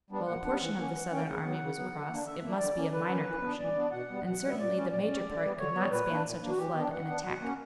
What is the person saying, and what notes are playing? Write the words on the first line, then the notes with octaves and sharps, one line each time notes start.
While a portion of the Southern army was across it must be a minor portion, and certainly the major part could not span such a flood and attack.
G3 B3 D4
A#2 F#5
G3 B3 D4
E3
A#3 C#4
E3
A#3 C#4 G5
C#3 F#5
F#3 B3
C#3
F#3 B3
D3
A#3 D4
D3 E5
A#3 D4
D3 D5
A#3 C#4
D3 B4
A#3 C#4
E3
B3 D4
E3 D5
B3 D4
B2 F#5
G3 B3
B2 F#5
G3 B3
E5
A#2 D5
G3 C#4
A#2 D5
C#4
G3
D3
G3 B3
D3 C#5
G3 B3
A#2 B4
A#3 D4
A#2
A#3 D4
F#4
E3 G4
B3 D4
E3 F#5
B3 D4
B2 F#5
A#3 C#4